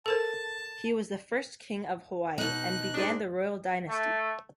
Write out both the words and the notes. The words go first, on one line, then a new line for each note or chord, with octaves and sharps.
He was the first King of Hawaii, and began the royal dynasty.
A4 A#4 C5 A5
B2 D#4 F#6
G#2 G#3 D4
A3